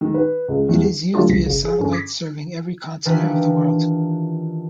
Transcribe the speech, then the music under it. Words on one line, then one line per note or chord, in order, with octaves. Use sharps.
It is used via satellites serving every continent of the world.
D#3
B4
C#2
E2
D3 F#3 A3 D4 F4 G4
C2 C#3 A#6 B6
G1 C#3
G#4
G2 D3 C#4
B5 D6 G#6 A#6 B6
D#3 E3 D4 F4 G4 B4